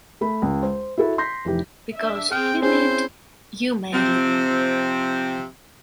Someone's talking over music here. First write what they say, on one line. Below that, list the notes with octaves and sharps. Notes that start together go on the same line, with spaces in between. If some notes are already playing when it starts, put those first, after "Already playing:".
Because he lived you may live longer.
A3 B5
C#2
C5
E4 F#4 A4 E5 B5
C6 G6 A#6 B6
F1 E3 G4
D4 E5
C4 G#4 G5 F6
C4 C#4 E4 G#4 C5
C3 F3 C4